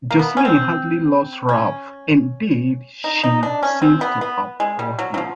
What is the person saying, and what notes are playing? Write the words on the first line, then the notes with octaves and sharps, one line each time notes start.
Jocelyn hardly loves Ralph - indeed, she seems to abhor him.
A#3
B3
C#4
C4
C#4
D#4
D#4
D4
C#4
C4
B3
B3
G#3
G3
F#3
F#3
F3